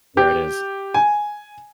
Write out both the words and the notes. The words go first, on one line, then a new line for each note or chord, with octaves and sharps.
There it is.
G4
G#5